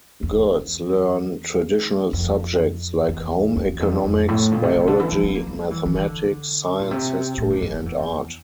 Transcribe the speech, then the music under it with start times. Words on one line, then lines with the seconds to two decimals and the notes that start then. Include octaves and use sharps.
Girls learn traditional subjects like home economics, biology, mathematics, science, history and art.
0.23 E2
2.13 F2
3.09 E2
3.56 E2
3.80 F2
4.04 F2
4.28 A2
4.51 A#2
4.63 C3
4.75 C3
4.87 D3
4.99 E3
5.12 F3
5.23 C4
5.35 A#3
5.47 G3
5.71 E3
5.86 E3
5.95 D3
6.79 A#2
6.91 C3
7.38 A2
7.50 G2
7.62 F2
7.74 F2
7.86 E2